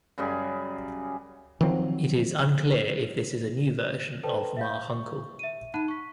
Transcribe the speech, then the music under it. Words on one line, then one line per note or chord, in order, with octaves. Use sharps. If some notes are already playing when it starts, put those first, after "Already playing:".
It is unclear if this is a new version of Ma Hunkel.
F#2 C#3 G3 G#4
D#3 F3 F#3 C4
A4 B4 C5 G5 A5
E5 F5 G6
C#6
E5 D#7
D#4 F#5 A5 B5 F#6 D#7
C#6 B6